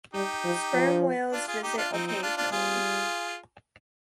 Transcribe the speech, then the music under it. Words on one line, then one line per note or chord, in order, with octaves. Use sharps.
Sperm whales visit occasionally.
G3 D#4 G4
F3
F3
D4 F4
F4 G#4
D#4 G4
D4 F4
F3 C4 D#4
C4 D#4
D4 F4
D4 F4
G3 F4 G#4